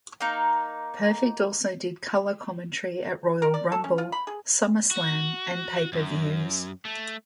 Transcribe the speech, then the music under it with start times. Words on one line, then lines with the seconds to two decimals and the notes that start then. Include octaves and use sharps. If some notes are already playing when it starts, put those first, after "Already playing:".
Perfect also did color commentary at Royal Rumble, SummerSlam and pay-per-views.
0.20 A#3 D#4
3.42 A#4
3.54 D5
3.72 A4
3.84 C#4
3.98 F4
4.12 B5
4.27 G#4
4.91 F#4
5.93 F#2
6.85 A3